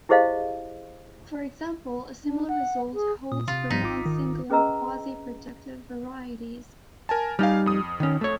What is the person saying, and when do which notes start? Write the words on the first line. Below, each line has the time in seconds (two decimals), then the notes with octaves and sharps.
For example, a similar result holds for non-singular quasi-projective varieties.
0.09 E4 G4 G#4 C5 D#5 F5
2.24 D4
2.48 F#5
2.94 G#4
3.32 A#2 D#6
3.48 C3 F4
3.70 G#2 F3 G3 D#4 B6
3.83 G#1 F4 D6
4.06 D#3
4.50 C#4 G#4 B4 D#5 A#5 E6
7.09 A#4 G#5 A5
7.39 G3 D#4 F5 G#5 F6
7.66 F2 D#6
8.00 D#3 C#4
8.21 A3 C#5